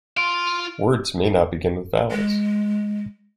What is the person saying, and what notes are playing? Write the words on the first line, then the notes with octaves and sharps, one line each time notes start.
Words may not begin with vowels.
F4 F5 C6 D7
G#3